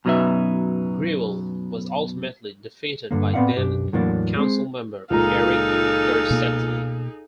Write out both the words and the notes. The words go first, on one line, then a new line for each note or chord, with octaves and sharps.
Greuel was ultimately defeated by then-Councilmember Eric Garcetti.
F#2 B2 F#3 D#4 B4 E5
G2 D3 A#3
A2 B3 C4 D5 F5 F#5
B1 F#2 D4 G4
E2 A2 F#3 A#3 D4
G#3 C4
C#2 A#2 D#4 G#4 A4 F5 A#5
B2 A#3